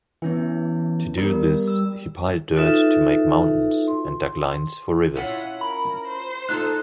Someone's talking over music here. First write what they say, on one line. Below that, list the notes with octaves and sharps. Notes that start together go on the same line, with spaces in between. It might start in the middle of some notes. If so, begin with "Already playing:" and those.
To do this, he piled dirt to make mountains, and dug lines for rivers.
E3 B3 C#4 E4
G3 B3 A#4
E6
D#4 F4 F#4 A4 B4 E5
C6
C#4 E4 F4 F#5
A#4 B5
C5
D#4 F4 A4 F#6